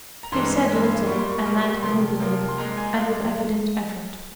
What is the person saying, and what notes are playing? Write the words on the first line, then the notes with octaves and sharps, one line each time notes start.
He said little, and that moodily, and with evident effort.
A#5
G2 E3 G#3 C6
G2 E3 G#3
A#2 G3 A#3 C#6
C6
C#6
A#2 G3 A#3
C3 F3 A#3 C6
C3 F3 A#3
C6
A#2 G#3 A#5
G#5
A#2 G#3 F5